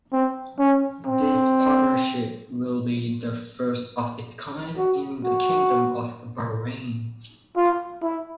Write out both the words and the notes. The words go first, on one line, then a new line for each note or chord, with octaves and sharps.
This partnership will be the first of its kind in the Kingdom of Bahrain.
C4
C#4
C4
F#4
F#4
F4
E4